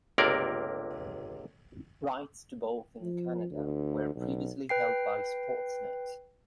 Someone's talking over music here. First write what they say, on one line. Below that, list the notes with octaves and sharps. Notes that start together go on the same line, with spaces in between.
Rights to both in Canada were previously held by Sportsnet.
G1 C#2 C3 A#3 A#4 D5
F3
D2
B1
B4 G5 C7